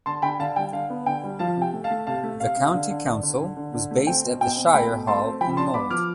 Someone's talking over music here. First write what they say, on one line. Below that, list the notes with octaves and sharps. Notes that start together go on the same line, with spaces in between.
The county council was based at the Shire Hall in Mold.
D3 A5 C6
D3 G5 B5
D3 F5 A5
G3 G5
D3 F5
B3
D3 G5
G3
F3 F5 A5
C3 G5
A3
F5 A5
A3
C3 F5 A5
A3
C3 F5
C3
D3
D3
D3
D3
D3
D3
D3
A3
C4 G5
B2
B2 G5
C4
A3 G5 B5
B2
A3 A5 C6
C4
F3 G5 B5
D4 A5 C6
B3 B5 D6
F3 D6 F6